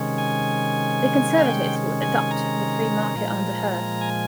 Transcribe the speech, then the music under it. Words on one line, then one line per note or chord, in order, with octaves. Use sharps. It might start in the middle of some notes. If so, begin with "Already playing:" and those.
The Conservatives would adopt the free market under her.
Already playing: C3 D#3 G#3 C#4
G#5
F5
G5
G#5
A#5
A#2 F3 G#3
G#5